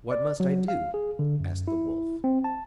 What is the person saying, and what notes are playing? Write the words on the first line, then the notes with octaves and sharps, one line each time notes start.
"What must I do?" asked the Wolf.
D5
F#3
F5
G#4
D3
F#2
E4
C4
A5